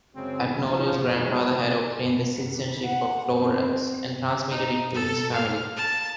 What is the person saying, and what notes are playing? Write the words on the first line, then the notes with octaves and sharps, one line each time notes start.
Agnolo's grandfather had obtained the citizenship of Florence and transmitted it to his family.
F#2 C#3 G#3 C4
B1 F2 F3
B1 E3 F#3 G#3 D#4
F#5
C4
D#4
A4
F5
A5